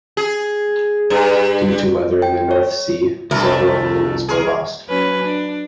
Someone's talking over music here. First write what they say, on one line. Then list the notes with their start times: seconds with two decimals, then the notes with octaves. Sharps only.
Due to weather in the North Sea, several balloons were lost.
0.17 G#4
1.10 G2
2.22 G5
2.51 C#5
3.31 C2 G2 A3 A#4
4.29 G#4 A#4
4.88 F#3 C#4 B4
5.22 D4